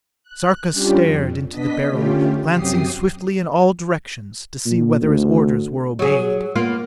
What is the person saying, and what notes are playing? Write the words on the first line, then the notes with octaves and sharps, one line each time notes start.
Sarka stared into the Beryl, glancing swiftly in all directions, to see whether his orders were obeyed.
F#6
G3 C#4 D4 F4 G4
F2
B3 D4 D#5 B6
D3 A3 C#4 F4 G4
F#2 C3 F#3 G4 D#6 C7
A#2
D2
F#3 G#4
A#3 B3 F4